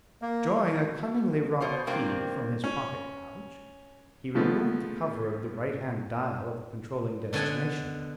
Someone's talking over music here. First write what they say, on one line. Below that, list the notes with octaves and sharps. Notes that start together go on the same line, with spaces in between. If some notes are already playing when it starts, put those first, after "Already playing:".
Drawing a cunningly wrought key from his pocket-pouch, he removed the cover of the right-hand dial of the controlling destination compass.
A#3
B2
B2 C5 F5
G2 C3 A#3 C4 D4
C#4
A2 C#3 F3 G#3 A3 B3
B2 D3 C#5 G#5 B5